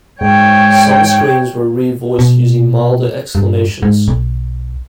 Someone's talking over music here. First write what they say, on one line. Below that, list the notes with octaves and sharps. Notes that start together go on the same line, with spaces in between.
Some screams were re-voiced using milder exclamations.
G#2 C#5 G5
B2
G2
G#2
B1